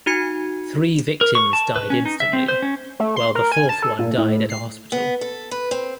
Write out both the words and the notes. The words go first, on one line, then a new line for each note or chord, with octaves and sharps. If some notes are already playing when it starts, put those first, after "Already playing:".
Three victims died instantly, while the fourth one died at a hospital.
D#4 F#4 G#6 C#7
A#4
C#6
A5
B4
C#4
D#4
E5
C4
C5
C#4
A3
C6
A#4
G#5
A5
A4
A#2
A2
C7
B3
A4
B4
C4